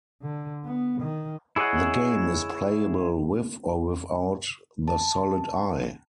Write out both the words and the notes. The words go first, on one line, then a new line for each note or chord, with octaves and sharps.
The game is playable with or without the Solid Eye.
D3
B3
D#3
E4 G#4 C#5 D#5 F#5
A5